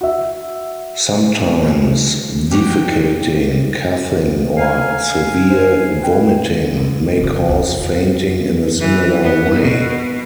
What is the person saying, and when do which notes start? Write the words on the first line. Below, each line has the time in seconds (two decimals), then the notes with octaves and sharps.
Sometimes defecating, coughing, or severe vomiting may cause fainting in a similar way.
0.01 F#4 E5
2.51 F2 F#4 G4 G5
4.56 A4 F5 G#5 A#5
5.50 C5
6.02 B4 G5
7.21 C#3 B3
7.49 C#2 E4
7.79 D#2
8.80 E3
9.23 B3
9.60 B2